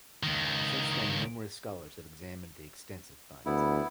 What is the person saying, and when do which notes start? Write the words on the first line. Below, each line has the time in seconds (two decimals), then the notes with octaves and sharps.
Since then numerous scholars have examined the extensive finds.
0.23 C#2 D#3
3.46 D2 B3 E4